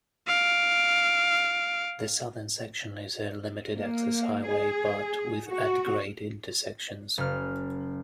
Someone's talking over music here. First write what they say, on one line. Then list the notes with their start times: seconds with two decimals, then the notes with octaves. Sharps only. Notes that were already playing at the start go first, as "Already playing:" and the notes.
The southern section is a limited-access highway, but with at-grade intersections.
0.27 F5 D7
3.75 A#3
4.47 G#4
5.48 F#4
7.18 F#1 F6